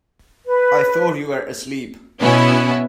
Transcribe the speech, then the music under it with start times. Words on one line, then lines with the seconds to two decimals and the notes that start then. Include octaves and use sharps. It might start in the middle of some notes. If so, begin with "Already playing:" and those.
I thought you were asleep.
0.46 B4
2.20 B2 B3 C#4 E4